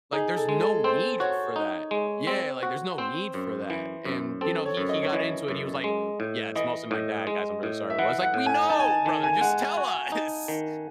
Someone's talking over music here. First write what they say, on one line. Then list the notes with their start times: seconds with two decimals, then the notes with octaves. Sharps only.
Like, there's no need for that." Yeah, like, there's no need for that, and, you know, he he got into it, he was like, "Yeah, it's mostly my dad, guys, I'm really sorry about" I was like, "We know, brother, just tell us!"
0.13 D#4 G#4
0.36 A4
0.49 G#3
0.61 A4
0.84 C4 C5
1.20 F#4 C#5
1.56 D#4
1.91 G#3
2.27 C4
2.63 F#4
2.98 C4 C5
3.34 F#2
3.70 E3
4.05 F#2
4.41 C4 A4
4.65 C#5
4.77 F#2
4.89 D#5
5.02 C#5
5.13 E3 D#5
5.48 F#2
5.84 G#3
6.20 A2
6.56 E3 D#5
6.91 A2
7.27 G#3
7.63 A2
7.90 E5
7.99 E3 F#5
8.22 F#5
8.34 A2
8.46 G#5
8.69 D#4 A5
8.80 G#5
8.87 A5
9.05 D#3 A5
9.23 G#5
9.41 G#3 F#5
9.77 F#4
10.12 D#4
10.48 D#3